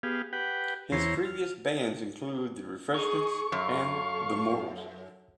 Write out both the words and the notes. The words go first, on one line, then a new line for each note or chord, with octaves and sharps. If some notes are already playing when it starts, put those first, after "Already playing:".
His previous bands include The Refreshments and the Mortals.
B3 G4 G#4 F5
G4 B4 F#5 G5
E2 E3 C5 C#5 A#5 C6
F6
D#4 G#4 C#6
F#2 A4 F5